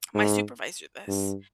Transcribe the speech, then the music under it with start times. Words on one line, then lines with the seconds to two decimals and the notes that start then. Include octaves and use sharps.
my supervisor this.
0.15 G#2
1.08 G2